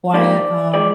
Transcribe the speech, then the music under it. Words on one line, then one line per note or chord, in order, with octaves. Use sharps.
why um
G#2 G3 A#3 D5
F3 G#3 D5